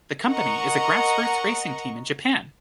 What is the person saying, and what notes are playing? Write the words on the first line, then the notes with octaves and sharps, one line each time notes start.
The company is a grass-roots racing team in Japan.
A#4 D#5 F#5 A#5 C#6